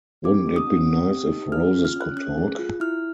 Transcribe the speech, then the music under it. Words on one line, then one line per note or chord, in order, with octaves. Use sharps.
Wouldn’t it be nice if roses could talk?
G4 D6
D#4
D#6
C4
C4
G4
D#4
G#4 F6
F4
F6
C#4 F#6
C#4 F#6
G#4
F4
E4 F6